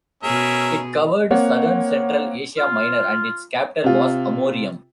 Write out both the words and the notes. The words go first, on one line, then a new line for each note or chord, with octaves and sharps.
It covered southern central Asia Minor, and its capital was Amorium.
B2 C#4 G#4 A#4 E5
A#3 C4 C#5 F#5
F4
C3 F4